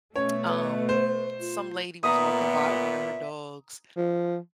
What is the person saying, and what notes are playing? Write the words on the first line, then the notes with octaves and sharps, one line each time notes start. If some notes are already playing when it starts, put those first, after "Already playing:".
um, some lady was walking by with one of her dogs,
B2 A3 C#4 C#5
B4
C5
F4
A#2 B3 E5 A#5 D#6
F3